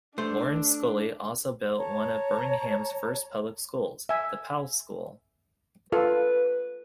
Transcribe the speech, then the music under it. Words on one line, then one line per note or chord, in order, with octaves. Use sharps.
Lawrence Scully also built one of Birmingham's first public schools, the Powell School.
A3 D4 C5
C#5 A5 A#5
E5 G#5
F4 A4 B4 F5